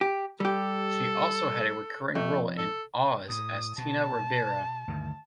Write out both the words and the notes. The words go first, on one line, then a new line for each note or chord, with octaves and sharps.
She also had a recurring role in "Oz" as Tina Rivera.
G4
G3 G4 A4
F2 A3
A4
A2 D#6
B2 A5
D2 G2 D#3